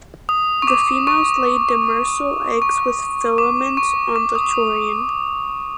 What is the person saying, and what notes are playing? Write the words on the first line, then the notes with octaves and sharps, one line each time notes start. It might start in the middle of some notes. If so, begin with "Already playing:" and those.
The females lay demersal eggs with filaments on the chorion.
D#6
C#6
D6
C#6
C#6
D6
C#6
D6
D#6